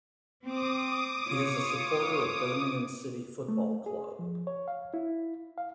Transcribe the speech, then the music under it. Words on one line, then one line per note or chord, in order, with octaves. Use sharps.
He is a supporter of Birmingham City Football Club.
C4 D6 D#6
F4 C#5
A3
G#4
F3
C#5
F5
E4
F5